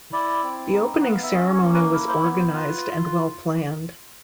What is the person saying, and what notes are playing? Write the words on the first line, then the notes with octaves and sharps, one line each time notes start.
The opening ceremony was organized and well planned.
E4 D5
C4
D#4
B3 F#5
F5
E5
C#4 D#5
C#5
A#3
B4
E4 A#4
C5
B3 C#5
C5
F4 B4